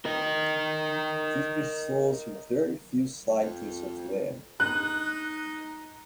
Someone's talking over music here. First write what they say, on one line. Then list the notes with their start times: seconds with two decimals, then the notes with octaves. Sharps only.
This results in very few sightings of them.
0.05 A#4 D#5
3.42 F2
4.60 D#4 F#6